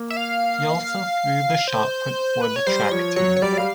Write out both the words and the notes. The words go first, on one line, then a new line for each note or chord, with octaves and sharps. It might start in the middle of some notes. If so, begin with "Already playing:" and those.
He also threw the shot put for the track team.
Already playing: A#3
E5
F5
C5
B4
C#5
G3 C5
F3 C#5
F#3 C#5
C#5
G3 D5
F#3
G3 F5